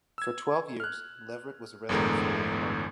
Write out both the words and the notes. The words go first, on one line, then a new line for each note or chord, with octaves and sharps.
For twelve years Leverett was a resident fellow at Harvard.
E6 G#6
F6 F#6
G1 E2 A2 D3 G#3 A#4